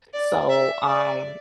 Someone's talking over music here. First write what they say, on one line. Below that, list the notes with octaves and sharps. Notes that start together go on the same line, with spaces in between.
So, um
D5
E5
D5